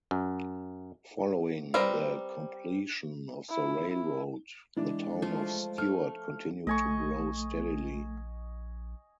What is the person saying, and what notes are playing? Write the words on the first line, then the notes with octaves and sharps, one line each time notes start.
Following the completion of the railroad, the town of Stuart continued to grow steadily.
F#2
G3 C4 A#4 B4
E4
E4
E3 G#3 D4
F3 A3 F4
A3 F6
A#1 A3 D#5 G#5 C#6